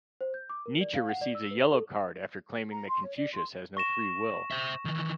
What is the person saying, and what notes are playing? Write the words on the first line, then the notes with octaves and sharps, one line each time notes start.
Nietzsche receives a yellow card after claiming that Confucius has no free will.
C5
G6
D6
A#4
D5
F5
F#5
D5
E6
B4
A4
A#5
C6
C#5
D5
C6
C#6 A#6 E7
C5 E5
D#3 E3